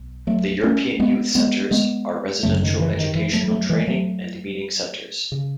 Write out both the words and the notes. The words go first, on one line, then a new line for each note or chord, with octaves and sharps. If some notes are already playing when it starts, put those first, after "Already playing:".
The European Youth Centres are residential educational, training and meeting centres.
Already playing: B1
F#3 A3
A3 C#4
G#3 B3
G#3 B3
G#3 B3
G#1 F#2 C#3 F#3 A3
D#3
E3
D#3
E3
F#3 A3
F#3 A3
E3 G#3
F#3 A3
C#3